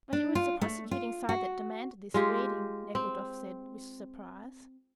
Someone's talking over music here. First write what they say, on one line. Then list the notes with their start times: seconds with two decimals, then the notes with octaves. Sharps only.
"But it was the prosecuting side that demanded this reading," Nekhludoff said, with surprise.
0.13 D4
0.35 F4
0.61 A3
0.91 F4
1.29 F#4
2.14 G#3 F4 G4
2.95 C4